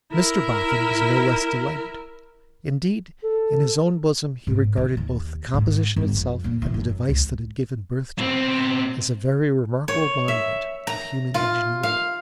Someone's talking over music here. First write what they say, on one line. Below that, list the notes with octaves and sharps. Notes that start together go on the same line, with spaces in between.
Mr Boffin was no less delighted; indeed, in his own bosom, he regarded both the composition itself and the device that had given birth to it, as a very remarkable monument of human ingenuity.
E4 A#4
A4
G#2
D#3
D#2
G#2
G1
F2
A#2
E3
F#2
C#2
B2 C4
C#5
E5
A#5
F4
F5